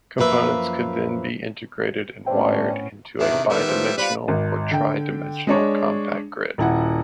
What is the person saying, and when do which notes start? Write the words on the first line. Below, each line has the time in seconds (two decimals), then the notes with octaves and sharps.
Components could then be integrated and wired into a bidimensional or tridimensional compact grid.
0.18 F#2 F3 A#3 B4 E5
2.26 A2 G3 B3 C#4 D4 C5 E5 G5
3.20 E2 D#3 D4 E5
3.32 C3
3.50 D3 D#3 G3 G#3 B3 B4 E5
3.69 F3
3.98 G3 F4 B4 C5 B5
4.28 G#1
4.71 D3 G5
5.47 G#3 D4 C#5
6.58 D#1 E4 F#5